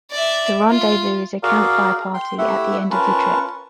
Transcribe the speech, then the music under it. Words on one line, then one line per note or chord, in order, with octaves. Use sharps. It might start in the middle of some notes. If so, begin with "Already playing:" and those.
The Rendezvous is a campfire party at the end of the trip.
D5 E5
F4
F#4 G#4 A#4 D5 F5
G5 C6
A3 E4 G4 E5 F#5 E6
C#4 F4 A#4 B4 A5 C#6